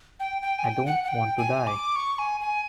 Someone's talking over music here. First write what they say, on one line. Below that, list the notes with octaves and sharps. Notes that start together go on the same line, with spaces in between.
I don't want to die.
G5
G5
G#5
G5
F#5
F#5
G5
G#5
D6
C#6
G#5
G#5